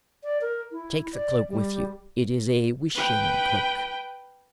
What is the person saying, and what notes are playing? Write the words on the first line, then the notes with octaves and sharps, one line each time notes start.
Take the cloak with you, it is a wishing-cloak.
D5
A#4
E4
D5
G3
B4 G5